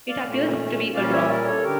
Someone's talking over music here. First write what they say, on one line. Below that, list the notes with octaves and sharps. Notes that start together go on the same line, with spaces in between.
It appears to be a draw.
D5 F5
A#2 A3 C#4
A#2 G3 C#4 D5 F5
C#5 E5
A#4 D5
A4 C#5
D3 G4 A#4